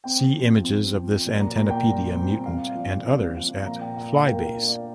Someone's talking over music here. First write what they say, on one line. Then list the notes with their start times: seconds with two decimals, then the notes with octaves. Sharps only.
See images of this "antennapedia" mutant and others, at FlyBase.
0.04 C4 G5
0.35 F3
0.64 C4
0.95 F3
1.26 A#2
1.41 A#5
1.55 A#2 A#5
1.70 G5
1.85 G3
2.15 C4
2.46 C4 F5
2.75 F3 D5
3.06 C4 D5
3.35 F3 F5
3.66 A#2 A#5
3.81 G5
3.96 A#2 F5
4.12 A#5
4.27 A#3 G5
4.46 F5
4.56 D4
4.67 D5